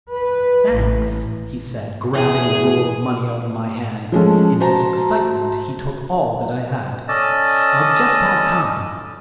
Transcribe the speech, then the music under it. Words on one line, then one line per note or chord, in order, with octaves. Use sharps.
"Thanks," he said grabbing the roll of money out of my hand,--in his excitement he took all that I had.--"I'll just have time."
B4
A1
E2 G#4
F3 G#3 C#4 A4
F#4 C5 A5 A#5
C#4 A4 D5 D#5 E6